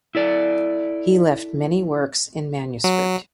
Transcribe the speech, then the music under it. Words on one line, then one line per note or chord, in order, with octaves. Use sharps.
He left many works in manuscript.
E4 A4 D5
F#3